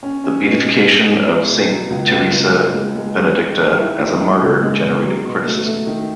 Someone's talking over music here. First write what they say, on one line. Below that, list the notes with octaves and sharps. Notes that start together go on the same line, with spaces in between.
The beatification of Saint Teresa Benedicta as a martyr generated criticism.
C#4
C#4
B2
G#3
G#3
G#3
E4
B2
F#3
C#2
C#2
C#2
G#3
G#3
G#3
G#4
D#3
D#3
E4
D#3
G#3
C#3
G#3
C#3
F#3
B2
A3
A3
D#3